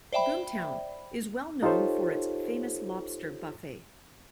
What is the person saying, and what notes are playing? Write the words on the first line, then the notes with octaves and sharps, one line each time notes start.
Boomtown is well-known for its Famous Lobster Buffet.
C5 D5 E5 G5 B5
D#4 F4 G4 A4 C5 C#5